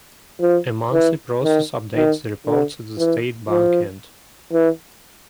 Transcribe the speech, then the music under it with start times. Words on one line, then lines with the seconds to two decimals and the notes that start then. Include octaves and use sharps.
A monthly process updates the reports at the State Bank end.
0.41 F3
0.92 E3
1.44 D#3
1.96 D#3
2.47 D3
2.98 E3
3.50 F3
4.53 E3